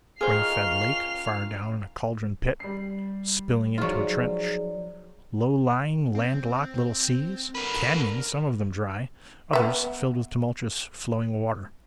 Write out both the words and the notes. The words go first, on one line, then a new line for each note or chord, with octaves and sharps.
A spring-fed lake far down in a caldron pit, spilling into a trench; low-lying, land-locked little seas; canyons, some of them dry, others filled with tumultuous flowing water.
D#3 C#4 F4 G#4 C5 C7 F7
G3 C7
F3 F#3 D#4 F4 G#4 C5 D5
C4
D3 A#4 B4
B3 E5